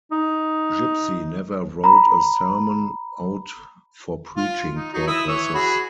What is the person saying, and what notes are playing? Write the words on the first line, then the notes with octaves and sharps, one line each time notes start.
Gipsy never wrote a sermon out for preaching purposes.
D#4
A#5 B5
F4
D#4
F#3 D#4
E4 D#6 E6
E3 C#5
F#4 G#4 B5